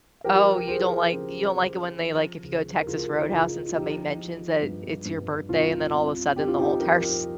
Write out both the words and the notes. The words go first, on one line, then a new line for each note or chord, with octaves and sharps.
Oh, you don't, like you don't, like, it when they, like, if you go to Texas Roadhouse and somebody mentions that it's your birthday and then all of a sudden the whole entire s
F3 G4 A#4
A#4
F3 G#4 C5
C#3
C#3
F3
C#2
A#4
C#2 F4 G#4
D#4
C#2 F4
F4
F3 D#4 G4
F3
G2
G2
C2 F4
C3
C3 G4
F4
D#4 G4
F3 G4 A#4